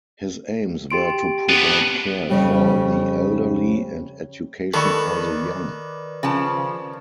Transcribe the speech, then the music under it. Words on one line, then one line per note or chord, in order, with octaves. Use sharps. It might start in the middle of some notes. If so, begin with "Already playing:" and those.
His aims were to provide care for the elderly and education for the young.
G4 C6 D7
B3 D4
F2 C#3 G3
D#3 A4 B4 D5 B5 C#6
C#3 F3 A5